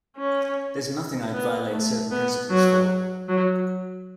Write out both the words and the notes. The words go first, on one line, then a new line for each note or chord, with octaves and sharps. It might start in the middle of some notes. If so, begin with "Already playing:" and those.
There's nothing I'd violate certain principles for.
C#4
B3
A3
B3
F#3
F#3